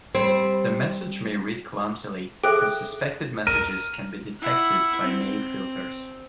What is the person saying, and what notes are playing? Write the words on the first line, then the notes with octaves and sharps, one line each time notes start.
The message may read clumsily, and suspected messages can be detected by mail filters.
G3 C4
G#4 A4 E5 G5 F#6
A#4 D#7
E4 F#5
C4